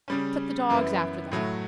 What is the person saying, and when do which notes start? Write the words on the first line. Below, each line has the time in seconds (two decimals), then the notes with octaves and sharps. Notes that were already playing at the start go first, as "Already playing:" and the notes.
'Set the dogs after them.'
0.08 C#3 G3 C#4
0.70 F#2 E3 B3 E4
1.32 A2 F#3 A3